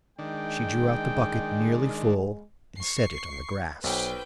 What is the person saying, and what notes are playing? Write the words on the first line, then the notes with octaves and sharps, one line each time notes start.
She drew out the bucket nearly full, and set it on the grass.
D#3 G#3 D4 G5
C#6 C7
B1 B4 C5 G5